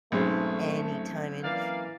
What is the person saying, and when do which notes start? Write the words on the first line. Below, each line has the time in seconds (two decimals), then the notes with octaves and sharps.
anytime in
0.12 B1 G#2 F#3 A3 C4 C#4 G#4
1.44 E3 A#3 D5 F5